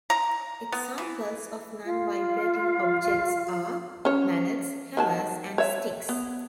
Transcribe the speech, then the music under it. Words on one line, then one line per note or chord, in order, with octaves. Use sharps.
Examples of non-vibrating objects are mallets, hammers, and sticks.
A#5
B3
E3
F4 F5
C#4 C#5
D#3 F#3 A5
C#5 E5
B3